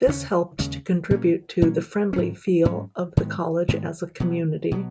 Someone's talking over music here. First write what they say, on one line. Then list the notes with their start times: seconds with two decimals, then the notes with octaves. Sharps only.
This helped to contribute to the friendly feel of the college as a community.
0.07 D#2 C#3 G#3 C#4
0.59 D#2 C#3 G#3 C#4
1.10 A#2 F#3 A#3 C#4
1.62 A#2 F#3 A#3 C#4
2.13 G#2 F#3 C#4
2.65 G#2 F#3 C#4
3.17 G#2 D#3 G#3 B3
3.68 G#2 D#3 G#3 B3
4.20 B2 F#3 B3
4.71 B2 F#3 B3